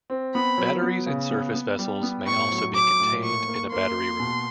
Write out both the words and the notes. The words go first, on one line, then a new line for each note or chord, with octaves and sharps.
Batteries in surface vessels may also be contained in a battery room.
C4
B3 B5
F#3
B3
C#3
B3
B3
G3
B3
A2 C#6
F#3
F#3 D6
A2
A#3 C#6
A#3
A#3 C6
A#3
B2